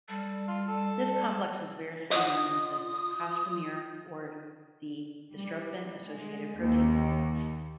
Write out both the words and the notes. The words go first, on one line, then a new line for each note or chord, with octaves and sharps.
This complex is variously known as the costamere or the dystrophin-associated protein complex.
G3 A4
F4
A4
F4 D#5 F#5 D#6
G3
G#3
D#2